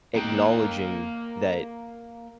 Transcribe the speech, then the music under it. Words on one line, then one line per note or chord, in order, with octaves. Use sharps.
acknowledging that
A#3 G5